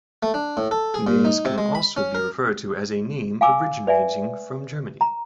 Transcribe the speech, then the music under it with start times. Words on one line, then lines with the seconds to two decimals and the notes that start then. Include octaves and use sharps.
Meis can also be referred to as a name originating from Germany.
0.23 A3
0.34 D4
0.57 A2
0.71 A4
0.94 G#4
1.07 A#2
1.25 D#4
1.45 C3
1.58 G#3
1.75 B5
1.97 C#4
2.15 A#4
3.41 F5 G#5 D6 E6
3.87 B4 D5 E5 G#5
5.01 A#5